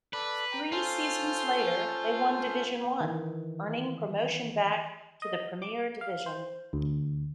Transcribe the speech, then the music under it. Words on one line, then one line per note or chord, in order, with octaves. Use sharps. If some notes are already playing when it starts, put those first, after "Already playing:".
Three seasons later they won Division One, earning promotion back to the Premier Division.
A4 B4 D5
G5 A#5
C#4 F4 A4 C5
D#3 E3
D#5
D6
F5
C5
D2